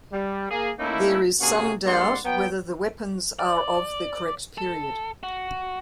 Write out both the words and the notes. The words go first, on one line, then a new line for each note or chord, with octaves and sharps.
There is some doubt whether the weapons are of the correct period.
G3
A#3 G#4
A3 A#3 C#4 D#4 E4
C3 A#3 C#4 F#4 G#4
G2 G#3 A#3 D5 F#5 C6
F#3 B3 G5
D5
A4
F#4